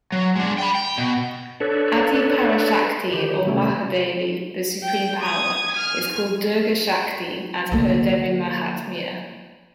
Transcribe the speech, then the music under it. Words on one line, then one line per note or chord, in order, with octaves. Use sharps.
Adi Parashakti or Mahadevi, the Supreme power, is called Durga Shakti as per Devi-Mahatmya.
F#3
G#3 D4
G5 B5
G5
B2
D4 A4 B4 C#5
D#3 G4
C3 A3 C#4
G5
D#6 G#6
G#5 F6
D3 A#3